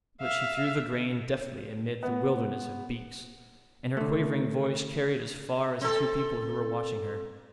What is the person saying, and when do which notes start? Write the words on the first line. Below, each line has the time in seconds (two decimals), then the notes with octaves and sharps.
But she threw the grain deftly amid the wilderness of beaks, and her quavering voice carried as far as the two people who were watching her.
0.22 E5 F5
2.03 B3
3.97 D3 A3
5.81 C4 A4